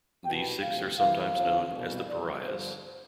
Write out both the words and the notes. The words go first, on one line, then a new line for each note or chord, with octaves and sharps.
These six are sometimes known as the pariahs.
C2 B2 G5
D2 C3 F3 F5
C2 C3 E3 F5
E2 D3 F3 F5
C2 B2
C2 C3 F3 D5
G2 D3 F3 C5